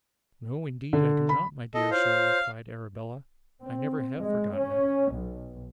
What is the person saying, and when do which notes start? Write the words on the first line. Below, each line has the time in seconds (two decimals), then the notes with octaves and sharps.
'No, indeed I do not, my dear Sir,' replied Arabella. 'I never have forgotten it.
0.93 D3
1.29 B5
1.74 E4 A4 D#5 E6
1.91 F4 C5 C#5 F5
3.60 C4
4.19 G#3
4.57 C#4
5.15 B1